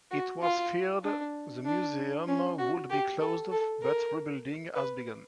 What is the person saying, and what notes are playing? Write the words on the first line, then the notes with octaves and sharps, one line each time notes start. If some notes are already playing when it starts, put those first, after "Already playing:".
It was feared the museum would be closed but rebuilding has begun.
F#4
F4
D4
D4
C#4
F#4
G4
A4
A4
A#4
B4